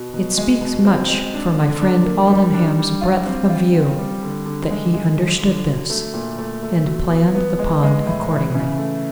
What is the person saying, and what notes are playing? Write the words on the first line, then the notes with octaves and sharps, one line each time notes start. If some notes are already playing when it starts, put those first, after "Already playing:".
It speaks much for my friend Aldenham's breadth of view that he understood this, and planned the pond accordingly.
Already playing: B2
B2
G#3
B2
C4
G#3
D4
D3
D4
A#3
G3
D4
G3
F4
C4
F4
C4
G3
D3
D3
G#3
G#3
F3
D3
F#3
A3
A#2
A3
A3
F#3
B3
B3
G#3
G#3
A2
E3
C#3
A3